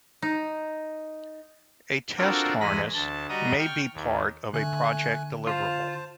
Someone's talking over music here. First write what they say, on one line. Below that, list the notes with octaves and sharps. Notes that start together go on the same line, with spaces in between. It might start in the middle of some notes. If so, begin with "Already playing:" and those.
A test harness may be part of a project deliverable.
D#4
C4 D4 F4 F#4 A4 A#4
E2 G#3 G#5 B5 A#6
D2 A5
G3 F#4 D#5 A#5 D#6
G5 C#6 F6
D#2
D3 A3 G#5 F#6
F4 C5 A5